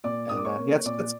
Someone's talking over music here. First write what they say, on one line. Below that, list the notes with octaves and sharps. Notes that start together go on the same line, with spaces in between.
and, uh, yeah that's that's
A#2 D5 D6
A#3 D#6
D6
C#5 C#6
A#3
A#2 D5 D6